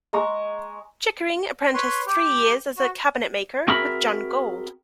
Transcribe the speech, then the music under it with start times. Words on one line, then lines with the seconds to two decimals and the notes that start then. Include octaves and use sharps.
Chickering apprenticed three years as a cabinet maker with John Gould.
0.13 G#3 A#5 C#6 D#6
1.74 B4 C#5 C6
2.06 G4
2.77 F#4
3.68 C4 F#4 G#4 A#4 E5 B5